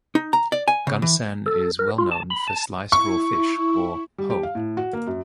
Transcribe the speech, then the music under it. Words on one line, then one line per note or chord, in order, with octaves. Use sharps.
Gunsan is well known for sliced raw fish, or "hoe".
D#4
A#5
D5
G#5
C#3
E3
A4
A#4
F4
A5
B5
A5
E4 C#6
G3
G4
F5
A2
F#4
A#3
F#2